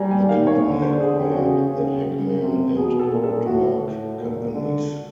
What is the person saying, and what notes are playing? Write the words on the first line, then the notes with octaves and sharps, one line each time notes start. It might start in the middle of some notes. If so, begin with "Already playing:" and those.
The company acquired the Hekman and Woodmark companies.
Already playing: G3 G#5 A#5
G#5
D#3 F5
C#5
D3 C#5
C5
D3 G#4
G4
C#3 F#4
C#3
C#3
C3
B2 G#4
A4
A#2
A4
A2 F#4
A2
A#2
D3